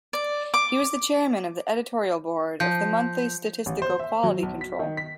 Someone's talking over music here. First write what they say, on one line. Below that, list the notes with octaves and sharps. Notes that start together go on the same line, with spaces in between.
He was the chairman of the editorial board of the monthly Statistical Quality Control.
D5
D6
F3 G6
A1
C5
E5
F#3
B1
B6
D#3
B6